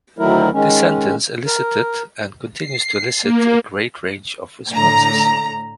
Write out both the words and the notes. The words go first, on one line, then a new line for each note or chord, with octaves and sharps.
This sentence elicited and continues to elicit a great range of responses.
D2 D#3 F#3 A3 E4 A#4
D#3 G#3 C#4
A#4
C7
A#3
A2 D3 A#5